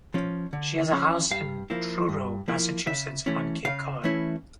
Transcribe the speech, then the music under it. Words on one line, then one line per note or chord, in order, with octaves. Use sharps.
She has a house in Truro, Massachusetts on Cape Cod.
F3 C#4
D3
F3 C#4
G2 F5
F3 A#3 E4
G2
F3 A#3 E4
C#3 E5
E3 A3 C#4 E4
C#3 F5
E3 A3 C#4 E4